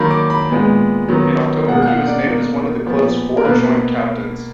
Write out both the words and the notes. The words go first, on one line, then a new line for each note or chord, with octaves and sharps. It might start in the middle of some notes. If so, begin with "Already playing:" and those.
In October, he was named as one of the club's four joint-captains.
Already playing: D#3 F#3 A#3 B5
D6
B5
A#2 G#3 B3
D#3 F#3 B3
B2 A#3 F#5
F#5
F5
D5
B2 A#3
A#2 F3 B3
A#4
B2 A#3 B4